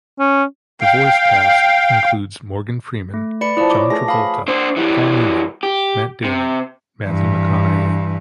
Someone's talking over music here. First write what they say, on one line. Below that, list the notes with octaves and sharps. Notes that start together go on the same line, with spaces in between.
The voice cast includes Morgan Freeman, John Travolta, Paul Newman, Matt Damon, Matthew McConaughey.
C#4
F5 G5
A3
B4 D5 B5 C#7
F3 E4 D5 D#6
C#5 A#5 D6
A3 G#4 B4 A#6
F5 B5 D#6
D4 C5
E3 G3
G4
C3
G2 E3